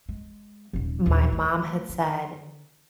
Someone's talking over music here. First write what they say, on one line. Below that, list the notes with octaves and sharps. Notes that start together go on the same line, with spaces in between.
My mom had said,
G#3
D#1 D#3
A#1 D#2
A3
D3